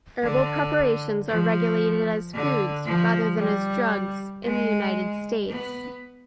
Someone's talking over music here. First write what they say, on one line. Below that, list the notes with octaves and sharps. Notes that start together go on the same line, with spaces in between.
Herbal preparations are regulated as foods, rather than as drugs, in the United States.
D3
F3
D3
F3
G3
G#3
B3